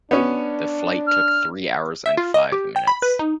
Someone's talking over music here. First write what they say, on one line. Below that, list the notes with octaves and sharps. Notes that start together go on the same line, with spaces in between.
The flight took three hours and five minutes.
B3 C#4 D4
F6
E5
F4
D#5
G4
G5
B5
B4
D#4